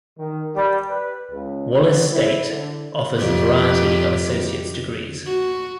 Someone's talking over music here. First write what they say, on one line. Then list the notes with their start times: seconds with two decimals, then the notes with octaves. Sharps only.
Wallace State offers a variety of associate's degrees.
0.19 D#3
0.55 G3
0.89 B4
1.31 C#2
1.81 C2
2.12 E4
2.49 D3
3.17 F2 C3 G4
5.26 F#4